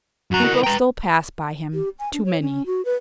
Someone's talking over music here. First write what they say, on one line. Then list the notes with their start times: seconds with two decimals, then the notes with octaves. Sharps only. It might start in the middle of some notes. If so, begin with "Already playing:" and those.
People still passed by him--too many.
0.31 F#2 F#4 A#5
0.44 E4 A#4
0.64 B4 G5 A#5
1.73 G4
1.99 G#5
2.13 D4
2.25 C#5
2.41 C#4
2.66 F#4
2.85 B4